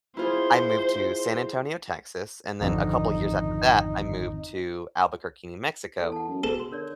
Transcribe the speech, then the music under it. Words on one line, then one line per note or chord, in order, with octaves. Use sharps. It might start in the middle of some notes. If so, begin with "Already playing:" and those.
I moved to San Antonio, Texas, and then a couple years after that, I moved to Albuquerque, New Mexico.
E4 F4 G#4 C5
G#1 F2 D3 D#4
E2 A4
F#5 A5
F#2
B2 G#4 A4
C6
D3 A#4 C#5 D5